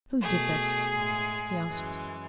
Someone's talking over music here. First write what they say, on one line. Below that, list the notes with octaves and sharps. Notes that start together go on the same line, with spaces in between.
"Who did that?" he asked.
B2 A3 G#4
A2 G#3
F#2 E3 G#3